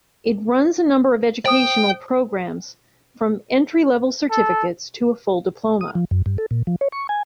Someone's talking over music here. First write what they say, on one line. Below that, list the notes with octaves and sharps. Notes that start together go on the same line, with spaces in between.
It runs a number of educational programmes, from entry-level certificates to a full diploma.
C5 G5 D#6
A4
D#6
F3
F#2
G2
A4
A#2
F3
C#5
C#6
G#5